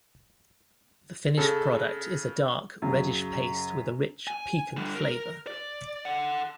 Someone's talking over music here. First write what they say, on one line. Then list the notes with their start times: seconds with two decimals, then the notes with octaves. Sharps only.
The finished product is a dark, reddish paste with a rich, piquant flavor.
1.38 C#3 A4
2.82 F#2 C#3
4.27 G#5
4.77 D3 G3
4.95 A#4
5.47 D5
6.05 A4 F#5